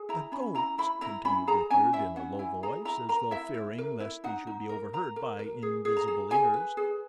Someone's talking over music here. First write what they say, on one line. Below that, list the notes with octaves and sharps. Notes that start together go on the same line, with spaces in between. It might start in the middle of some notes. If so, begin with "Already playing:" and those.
"The ghost!" continued Richard, in a low voice, as though fearing lest he should be overheard by invisible ears.
Already playing: G#4
E4 A#5
C#4 B5
E4 A#5
E4 B5
E4 A#5
C#4 B5
G#4 A#5
C#4 G#5
E4 E5
C#4 F#5
E4 G#5
G#4 A#5
E4 A#5
A#4 A#5
E4 E5
E4
A#4
E4
D#4 F#5
D#4
A#4
A#4 A#5
A#4
A#4
G#4
G#4
A#5
G#4
G#4 G#5
B4
G#4